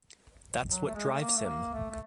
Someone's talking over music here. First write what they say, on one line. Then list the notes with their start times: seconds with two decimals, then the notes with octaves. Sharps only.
That's what drives him.
0.68 F#3
0.87 A3
0.94 G#3
1.12 A3
1.21 A#3
1.38 A3
1.46 A#3
1.74 A3
1.91 A3